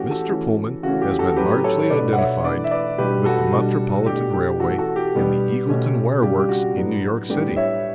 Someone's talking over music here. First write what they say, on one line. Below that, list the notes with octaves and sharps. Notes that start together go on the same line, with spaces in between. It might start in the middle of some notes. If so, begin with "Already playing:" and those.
Mr. Pullman has been largely identified with the Metropolitan Railway and the Eagleton Wire Works in New York city.
Already playing: E3 A3 C#4 F#4 G4
F#4 A4
E3 A3 C#4
C#3 E3 A3 C#4 F#4
G4
F#4 A4
A2 F#3 A3 C#4 G4 B4
A4 C#5
C#5
B2 A3 D4 B4 D5
F#5
C#5 E5
E3 A3 D4 B4 D5
E5
B4 D5
B2 G3 D4 G4 B4
F#4 A4
B2 G3 D4
B2 A3 D4 G4
G4
E3 A3 C#4 F#4 A4
F#4 A4
G4
B2 G3 B3 D4
B2 A3 C#4
C#3 G3 D4 G4
G4
F#4
A2 F#3 B3 D4
A2 G3 B3 D4 G4
C#5 E5